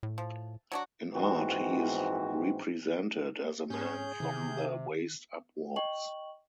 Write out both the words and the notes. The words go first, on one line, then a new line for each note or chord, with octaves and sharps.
In art he is represented as a man from the waist upwards.
A2
F3
F#3 D4 F#4
A#1 G#2 E3 C4 F#4
G#2 C#4 G#4 G6
C3 D#3
D#5 G5 C#6 F#7